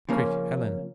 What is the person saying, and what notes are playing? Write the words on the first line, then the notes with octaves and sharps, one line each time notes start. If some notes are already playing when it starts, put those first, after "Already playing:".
Quick, Ellen!'
C#3 F3 A#3 C#4